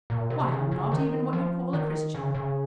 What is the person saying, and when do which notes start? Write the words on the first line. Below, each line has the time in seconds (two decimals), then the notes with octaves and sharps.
Why, I'm not even what you'd call a Christian.
0.10 A#2
0.30 C3
0.51 C#3
0.71 C#3
0.92 D#3
1.33 F3
1.73 D#3
2.15 C#3
2.34 C#3